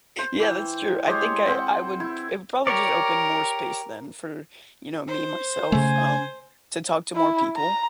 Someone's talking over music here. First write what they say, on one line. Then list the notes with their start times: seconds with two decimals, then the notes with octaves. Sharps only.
Yeah, that's true. I think I I would it would probably just open more space then for, you know, me, myself, um, to talk to more people,
0.19 C5
0.40 E3 G5
1.07 G#3 G4 C5 C#5
1.46 C4 F#5 G5
2.00 E4
2.67 G4 A#4 C#5 D5
5.08 C5
5.72 C#3 A3 G#5
7.15 E4
7.57 A#5